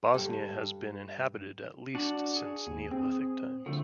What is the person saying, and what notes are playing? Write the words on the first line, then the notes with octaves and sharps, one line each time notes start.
Bosnia has been inhabited at least since Neolithic times.
G2 A4
D4 F#4 D5
G#4
D#2
C4
D3 F3 A3 C4